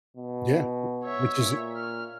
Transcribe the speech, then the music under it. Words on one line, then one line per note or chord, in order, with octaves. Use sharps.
Yeah. W which is it
B2
C#5 E5
A#2
F6